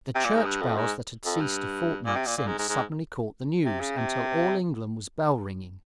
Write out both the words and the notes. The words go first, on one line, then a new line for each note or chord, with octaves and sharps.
The church bells that had ceased a fortnight since suddenly caught the news, until all England was bell-ringing.
C3
A#2
G#2
G2
F2
G#2
F2
G2
A#2
C3
A#2
A#2
G#2
G#2
G#2
C3
C#3
C3